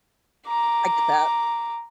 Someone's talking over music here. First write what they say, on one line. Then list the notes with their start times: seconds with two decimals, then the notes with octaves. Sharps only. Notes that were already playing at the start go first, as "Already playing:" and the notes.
I get that.
0.46 A#5 D6